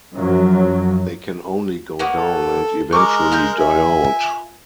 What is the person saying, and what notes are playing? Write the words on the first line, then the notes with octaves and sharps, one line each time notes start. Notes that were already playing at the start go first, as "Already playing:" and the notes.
They can only go down, and eventually die out.
F#2 F3 F#3
A#3 B3 C#5
A4
G#3 A#4 C#6 D6 F6
F4 F6 G6
E5 G#5